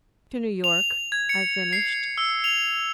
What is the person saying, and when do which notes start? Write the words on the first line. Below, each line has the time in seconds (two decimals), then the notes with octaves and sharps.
"To New York," I finished.
0.64 F7
1.12 G#6
1.29 C#7
1.73 C7
2.18 E6
2.44 F7